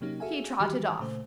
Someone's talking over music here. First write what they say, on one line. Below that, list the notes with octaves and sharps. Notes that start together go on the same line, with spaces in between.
He trotted off.
C3 F#3 A#3 C#4 D#4 G4
F#4 G#4 A4 E5 F5 G#5
D#3 E3 G3 F#4 G4
A#2 C#3 A3 C5